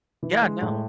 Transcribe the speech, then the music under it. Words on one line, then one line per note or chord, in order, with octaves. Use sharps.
Yeah, no.
E3
G#3
A2